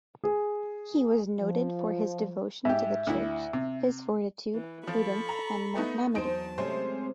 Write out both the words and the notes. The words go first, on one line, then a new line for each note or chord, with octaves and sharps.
He was noted for his devotion to the Church, his fortitude, prudence, and magnanimity.
G#4
F3
G#2 G4 E5
D2 E4
C3
E3
F3 A4 B5 C#6
A#5
A3 B3 D#4
E2 F#3 D#4 C5 A5 D7
C3 G#3 A3 C#4 C5